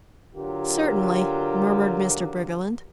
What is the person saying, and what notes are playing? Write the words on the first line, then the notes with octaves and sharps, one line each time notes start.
"Certainly," murmured Mr. Briggerland.
D3 F#3 F4 G4 A#4